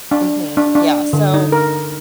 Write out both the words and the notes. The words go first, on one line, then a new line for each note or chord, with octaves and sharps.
Mhm, yeah, so
D4
D4
D4
D3
D#4
A#4